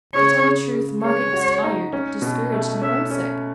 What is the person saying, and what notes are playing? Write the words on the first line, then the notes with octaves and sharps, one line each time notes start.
To tell the truth, Margaret was tired, discouraged, and homesick.
C#3 C#5
C#3
C#3
G#3 C#5
F#4
D#4
C#4
B2
A3
C#4 E5
C#4